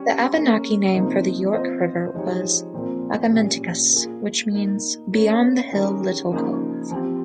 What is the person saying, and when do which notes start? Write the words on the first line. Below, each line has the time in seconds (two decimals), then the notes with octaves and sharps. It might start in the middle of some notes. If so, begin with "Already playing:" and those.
The Abenaki name for the York River was "Agamenticus", which means "Beyond-the-hill-little-cove".
Already playing: G3 C#4 G4 C#5
0.34 A#3 C#4 G#4
0.94 C3 F3 A#3 D#4
1.54 C4 F4 C5 D#5
2.14 F3 G#3 D#4 G4 C#5
2.74 A#2 F3 C4 F4 A#4
3.32 A#2 G3 C#4 G#4
3.93 A#3 F4 G#4
4.52 A#3 D#4 A#4
5.12 A#3 C#4 G#4 C#5
5.72 D#3 G#3 C#4 G4 A#4
6.31 C#3 F3 A#3 D#4
6.90 F3 C4 G4